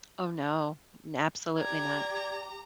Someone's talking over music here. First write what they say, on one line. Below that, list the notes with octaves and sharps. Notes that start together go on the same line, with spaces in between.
Oh, no, n absolutely not.
G4 D5 A#5 G#6